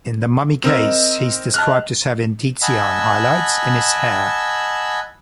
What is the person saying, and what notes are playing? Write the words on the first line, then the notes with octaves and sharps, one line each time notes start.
In The Mummy Case, he is described as having Titian highlights in his hair.
C4 D#4 A#4 E6
G#3 A5 F6 F#6
D#5 F#5 G#5 A5 B5 E6